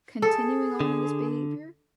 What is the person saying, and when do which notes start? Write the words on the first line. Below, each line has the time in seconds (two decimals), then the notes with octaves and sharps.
continuing on in this behavior,
0.22 G#4 A4
0.81 D3